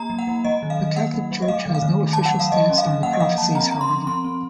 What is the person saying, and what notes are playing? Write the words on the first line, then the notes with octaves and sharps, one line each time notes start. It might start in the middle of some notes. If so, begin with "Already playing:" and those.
The Catholic Church has no official stance on the prophecies, however.
Already playing: A#3 A#5
F#3
F#5
F#3
F#3 D#5
D#3
F5
D#3
A#3 F#5
F#3
F#3
D#5
A3 F5
D#3
F5
D#3
A3
F#3 A5
F#5
F#3
F5
F#3 D#5
C#4
F5
D#3
A#3 F#5
D#5
F3 F5
F3 A5
C4 A#5
C4 A#5
C6
F3
C4 C6
C4